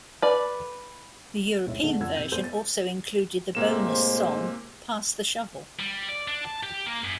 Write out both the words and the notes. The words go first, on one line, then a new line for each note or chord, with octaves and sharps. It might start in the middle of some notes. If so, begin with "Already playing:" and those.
The European version also included the bonus song "Pass the Shovel".
B4 D5
F1 C#2 E4 C#5 E5
E2 D3 G#3 A3
F2 C#3 F#5 E6 G#6
C3 G6 D#7
E2 A3 C5 C6 G6 D#7
A6
A2 C3 G#3 A#3 C5 E7
G3
D5
D4
A5
G4
A#3
F#2